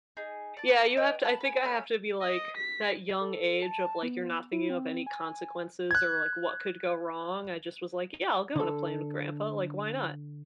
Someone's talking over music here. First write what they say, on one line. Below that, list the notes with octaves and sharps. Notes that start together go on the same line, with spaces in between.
Yeah, you have to I think I have to be, like, that young age of, like, you're not thinking of any consequences, or, like, what could go wrong. I just was, like, "Yeah, I'll go on a plane with grandpa," like, "Why not?"
D#4 G#4
D5 A5
B4 D#5 G5 G#5
A5 B5 F#6
B4 G#5
A3 C#4 B5
D#5
B6
A4
A5
B3
E4
C4
G#5
F#6 G#6
D3 A4